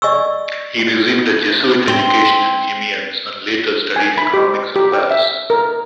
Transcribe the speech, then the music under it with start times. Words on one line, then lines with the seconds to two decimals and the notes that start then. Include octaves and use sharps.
He received a Jesuit education in Amiens and later studied economics in Paris.
0.02 D5 D#5 G#5 C#6 E6
1.88 C4
3.96 G#5
4.18 B5
4.34 G4
4.76 G4
4.93 G5
5.11 E5
5.50 A#4